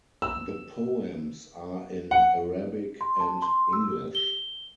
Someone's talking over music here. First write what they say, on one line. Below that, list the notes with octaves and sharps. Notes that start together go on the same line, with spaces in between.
The poems are in Arabic and English.
E6
F#5
C6
A5
C6
E6
G4
G7